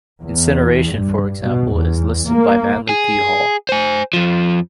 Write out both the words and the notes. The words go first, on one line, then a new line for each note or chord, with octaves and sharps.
Incineration, for example is listed by Manly P. Hall.
E2
G2
B2
E2
A#3
G#4
C5 G#5
F2 F3